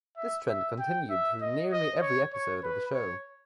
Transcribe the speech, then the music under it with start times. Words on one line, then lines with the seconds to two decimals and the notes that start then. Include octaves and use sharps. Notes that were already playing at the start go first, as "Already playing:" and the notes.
This trend continued through nearly every episode of the show.
0.17 E5
0.49 E5
0.79 G5
1.10 E5
1.41 D#5
1.72 D#5
2.02 C#5
2.33 C#5
2.64 B4
2.94 C#5